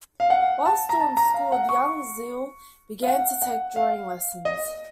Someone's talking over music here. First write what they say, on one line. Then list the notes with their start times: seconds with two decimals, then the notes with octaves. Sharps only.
While still in school, the young Zille began to take drawing lessons.
0.20 F5
0.30 F#5
0.66 A5
0.89 A#5
1.00 A5
1.17 A#5
1.34 F5
1.52 F#5
1.69 C#6
3.03 F5
3.07 F#5
3.42 F#5
3.76 F5
4.45 D#5